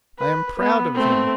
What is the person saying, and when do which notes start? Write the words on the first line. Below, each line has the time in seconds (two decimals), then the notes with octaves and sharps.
I am proud of him.
0.19 B4
0.59 B3
0.94 A3 C4